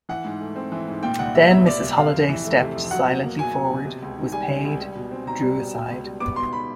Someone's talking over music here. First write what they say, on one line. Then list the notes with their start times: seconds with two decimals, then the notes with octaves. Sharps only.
Then Mrs. Holliday stepped silently forward, was paid, drew aside.
0.09 E3 F#5
0.24 G#2
0.41 A3
0.56 C4
0.72 E3
0.88 G#2
1.03 A#2 G5
1.19 C2 F#5
1.35 G3 E5
1.50 B3 E5
1.66 A#2 D5
1.82 C2
1.97 C3 F5
2.14 F2
2.29 E3
2.45 A3
2.61 C3
2.75 F2
2.91 F#3 F#5
3.07 B2
3.23 A#3
3.39 B2 G#5
3.55 F#3
3.70 B2
3.85 C3
4.02 C#2
4.17 D#3
4.32 G3 G#5
4.49 C3
4.65 C#2
4.80 G3
4.95 B2
5.11 C4
5.26 B2 A#5
5.42 G3
5.58 B2
5.73 B2
5.90 C#2
6.05 G3
6.20 B3 D6
6.36 B2 C6
6.53 B5